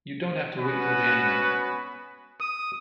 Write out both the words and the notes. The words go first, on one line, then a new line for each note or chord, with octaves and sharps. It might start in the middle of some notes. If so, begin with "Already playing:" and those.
You don't have to wait till January.
B3 C#4 F#4 B4
D#6